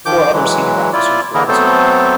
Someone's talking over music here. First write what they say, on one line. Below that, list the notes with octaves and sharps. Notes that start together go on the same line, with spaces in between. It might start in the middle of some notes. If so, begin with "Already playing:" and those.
Four other senior officers were also demoted.
D#3 F3 D6 G6
E3 F#3 G#3
E4 F4 D5
D3 E3 A#3 E4 G#4 A#4
F#3 A3 B3 C4 A4 C5